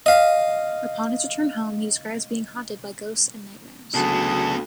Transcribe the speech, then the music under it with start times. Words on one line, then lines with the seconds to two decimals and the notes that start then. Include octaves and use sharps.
Upon his return home, he describes being haunted by ghosts and nightmares.
0.06 D#5 F5
3.95 D2 C#3 F#3 B3 G#4 A5